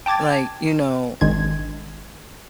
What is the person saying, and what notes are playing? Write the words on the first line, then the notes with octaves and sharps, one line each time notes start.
like, you know,
G5 A5 D6 G#6 A6
G#1 D#3 G#3 D4 G#6